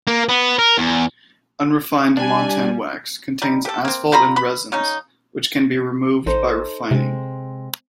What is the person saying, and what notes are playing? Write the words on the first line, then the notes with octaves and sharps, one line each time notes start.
Unrefined montan wax contains asphalt and resins, which can be removed by refining.
A#3
B3
A#4
E2
G3 D4 G#5
G3 D#4
G4 A4
A#3 C4
G3 F4 A#5 B5
B4 B5
C#3 C#4 D#4
A1 D#4 A4 C5
C3 G#3 C4